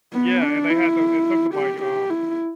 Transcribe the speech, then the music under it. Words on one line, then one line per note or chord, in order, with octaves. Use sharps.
Yeah. And they had to it took 'em, like, um
B3
D4
E4
G4
G4
E4